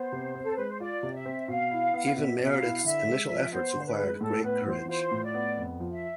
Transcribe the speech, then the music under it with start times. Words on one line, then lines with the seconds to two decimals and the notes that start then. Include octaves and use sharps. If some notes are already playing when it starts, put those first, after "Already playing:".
Even Meredith's initial efforts required great courage.
Already playing: B3 C5
0.12 C3
0.35 C4
0.43 A4
0.55 G#3 B4
0.68 C5
0.80 F4 D5
1.03 C3
1.14 E5
1.26 C4
1.48 B2 F5
1.71 E4
1.94 B3
2.16 B2 E5
2.35 D5
2.39 B2 E5
2.51 F5
2.62 E4
2.84 D3 E5
3.07 G#3
3.30 F3
3.52 B3 C5
3.76 D3
3.86 B4
3.98 G#3
4.21 A2 A4
4.43 B3 B4
4.66 E3 C5
4.88 F4 C5
5.11 A2
5.23 D5
5.34 B3
5.57 F2
5.80 F3
5.91 E5